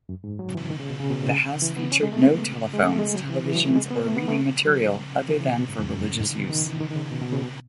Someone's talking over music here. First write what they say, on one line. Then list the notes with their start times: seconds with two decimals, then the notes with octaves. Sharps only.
The house featured no telephones, televisions, or reading material other than for religious use.
0.09 F#2
0.24 G#2
0.39 F#3
0.55 E3
0.70 D#3
0.80 C#3
0.90 B2
1.00 C#3
1.10 B2
1.21 A2
1.31 C#3
1.62 E3
1.76 B3
1.92 C#4
2.03 G#3
2.12 A3
2.23 B3
2.74 G#3
2.83 A3
2.99 G#3
3.14 F#3
3.29 E3
3.45 E3
3.55 F#3
3.65 A3
3.76 G#3
3.90 B3
4.06 A3
4.17 B3
4.28 A3
4.67 F#3
5.28 E3
5.38 C#3
5.48 B2
5.59 B2
5.69 G#2
5.79 E2
5.89 F#2
6.04 A2
6.20 G#2
6.30 D#3
6.39 B2
6.50 D#3
6.65 E3
6.80 D#3
6.91 D#3
6.96 C#3
7.11 B2
7.21 B2
7.32 C#3
7.42 B2